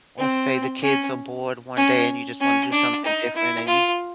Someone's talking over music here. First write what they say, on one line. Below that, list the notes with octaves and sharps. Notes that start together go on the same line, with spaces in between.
or say the kids are bored one day and you just wanna do something different and you
C4
C#4
C#4
C#4
D4
D#4
E4
F4